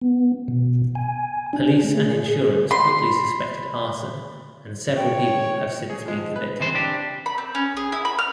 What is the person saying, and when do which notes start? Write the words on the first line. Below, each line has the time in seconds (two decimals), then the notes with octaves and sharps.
Police and insurance quickly suspected arson and several people have since been convicted.
0.02 B3
0.48 B2
0.95 G#5
1.53 D4
1.84 A3
1.97 G#4
2.71 B5 C6
4.97 C#5 G5
5.90 G#4
6.06 F3 G#3
6.36 B4
6.60 C3 E3 C5
6.75 D4 G4
7.26 B5
7.38 C4
7.55 C#4
7.77 G#4
7.92 E4
8.05 B5
8.18 F6